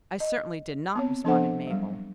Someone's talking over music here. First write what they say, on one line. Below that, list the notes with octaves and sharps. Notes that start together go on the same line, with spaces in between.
"I certainly did not," responded Mabel.
D#5
B3 C4 C#5
F3 B3 D4 A4 C5 F#5
F#3 G3